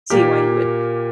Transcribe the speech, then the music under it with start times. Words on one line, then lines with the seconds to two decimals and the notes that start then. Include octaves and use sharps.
see why you would
0.10 A#2 A#3 G4